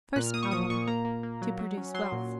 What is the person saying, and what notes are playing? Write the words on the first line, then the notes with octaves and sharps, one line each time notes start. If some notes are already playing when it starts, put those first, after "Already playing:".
First problem: To produce wealth.
A#2 F#6
F6
A#3 D#6
C#6
F3 D#6
A#2 C#6
A#3 A#5
A#3
A#3
F#3
F#3
C#4
F#3 C6
A#2